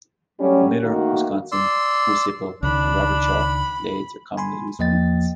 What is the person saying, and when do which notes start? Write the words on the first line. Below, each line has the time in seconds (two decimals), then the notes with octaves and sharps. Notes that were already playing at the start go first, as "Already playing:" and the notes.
The Miller, Wisconsin, Wis-Hipple, and Robertshaw blades are commonly used for infants.
0.39 F#3 G3 A3 C#4
0.82 D#3 A3 A#3 D#4 F#4
1.52 D5 C6 E6
2.63 C#2 D#3 D4 B5
4.37 G#5 B5 C6
4.79 E2 F3 A#3 D#5 G5 A6